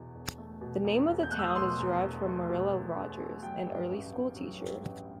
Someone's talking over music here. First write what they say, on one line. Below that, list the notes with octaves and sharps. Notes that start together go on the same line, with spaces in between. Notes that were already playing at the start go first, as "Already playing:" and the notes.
The name of the town is derived from Marilla Rogers, an early school teacher.
Already playing: E2 B2
E1
A3
B2
E2
E1
G6
A3 F#6
E6
D#6
B2 C6
E2
E1
A3
B2
E2
E1
A3
F#3 G5
G2
A1
B3
F#3
G2
A1